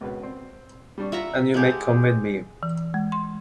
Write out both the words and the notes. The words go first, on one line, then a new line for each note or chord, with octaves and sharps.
And you may come with me.
C#2 B2 B4
C4
G3 D4 C#6
F4 E5 F#5 A#5
G#3 G4 A4 F#5 G#5
E3
G#3
C6